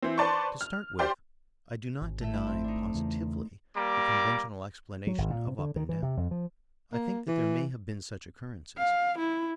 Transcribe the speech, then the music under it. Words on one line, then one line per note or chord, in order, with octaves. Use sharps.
To start with I do not deny--positively--the conventional explanation of "up and down." I think that there may have been such occurrences.
E3 C4
B4 C5 D5 A5 C6 C#6
F6
G4 C5 D5 G5 C6
G#1
A3 E5
E4
C4
D4 D#4
E2 C#3
G3 A#3 A#5 D6
F#3
G#1
A#2
C3
D3
D#3
E3
C3
F2
F3
A#3
E3
F5
E4